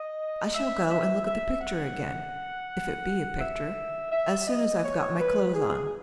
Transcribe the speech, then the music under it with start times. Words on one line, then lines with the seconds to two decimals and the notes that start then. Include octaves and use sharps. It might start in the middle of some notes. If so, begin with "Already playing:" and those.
I shall go and look at the picture again--if it be a picture--as soon as I've got my clothes on.
Already playing: D#5
0.54 E5
0.89 E5
1.25 E5
1.61 F#5
3.40 E5
4.11 E5
4.48 D#5
4.83 C#5
5.19 B4
5.54 G#4